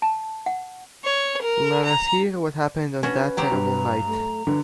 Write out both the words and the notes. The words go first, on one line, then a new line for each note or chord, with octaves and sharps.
Let us hear what happened on that terrible night.
A5
F#5
C#5
A#4
A#5
C#4 D4 F#4 B4
F#3 G4 C5 A#5
G2
A3
D3 B4